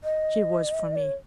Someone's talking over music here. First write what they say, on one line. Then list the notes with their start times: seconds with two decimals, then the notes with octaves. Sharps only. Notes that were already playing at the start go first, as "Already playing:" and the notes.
She was for me.
0.04 D#5
0.96 C#5